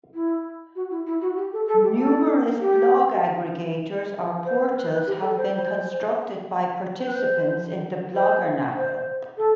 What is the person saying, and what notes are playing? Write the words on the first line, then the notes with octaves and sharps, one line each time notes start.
Numerous blog aggregators, or portals, have been constructed by participants in the Bloggernacle.
E4
F#4
E4
E4
F#4
G4
A4
A4
G4
A4
G4
C5
B4
C5
B4
G4
A4
C5
C5
C5
B4
C5
C5
C5
A4